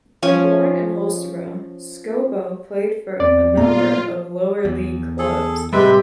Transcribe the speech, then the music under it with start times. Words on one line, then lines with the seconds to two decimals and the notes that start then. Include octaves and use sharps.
Born in Holstebro, Skoubo played for a number of lower league clubs.
0.22 F3 C#4 G#5
3.20 E2 C4 D5
3.57 A#2 A#3 B3 F4 A#5
4.65 E2
5.19 G#4 A4
5.73 A2 C3 G3 G#3 G4 B4 E5